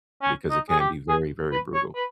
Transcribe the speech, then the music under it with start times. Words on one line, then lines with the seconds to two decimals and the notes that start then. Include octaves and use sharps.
because it can be very, very brutal.
0.22 C#4
0.50 D#4
0.70 G#4
0.80 G4
1.09 G#4
1.52 B4
1.74 C#5
1.95 B4